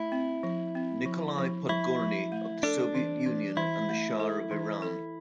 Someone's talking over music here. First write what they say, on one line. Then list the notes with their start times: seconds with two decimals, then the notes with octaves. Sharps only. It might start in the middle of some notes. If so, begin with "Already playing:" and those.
Nikolai Podgorny of the Soviet Union and the Shah of Iran.
Already playing: A3 E4
0.12 C4
0.43 F3
0.75 C4
1.06 F3
1.38 F3
1.69 F3 E4
2.00 F3
2.32 A3
2.63 D4 A4
2.95 E3
3.26 E3
3.57 E3 E4
3.89 A3
4.20 A4
4.51 E3
4.82 A4